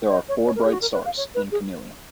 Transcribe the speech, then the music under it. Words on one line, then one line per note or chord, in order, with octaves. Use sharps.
There are four bright stars in Chamaeleon.
D#5
C#5
C#5
A#4
G#4
F#4
A#4
B4
F5
C#5
B4
G#4